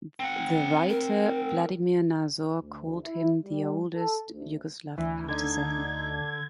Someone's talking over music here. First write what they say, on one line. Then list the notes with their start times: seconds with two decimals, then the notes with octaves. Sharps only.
The writer Vladimir Nazor called him the oldest Yugoslav Partisan.
0.20 C4 F#5
0.89 A#4
2.60 D2
3.02 E4
3.43 G3
3.94 A4
4.30 D2
4.98 D2 E3
5.29 D3 D#4 G#6